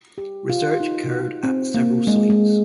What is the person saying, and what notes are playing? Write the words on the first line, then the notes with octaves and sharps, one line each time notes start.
Research occurred at several sites.
G4
F4
D#4
C4
A#3
G#3
G#3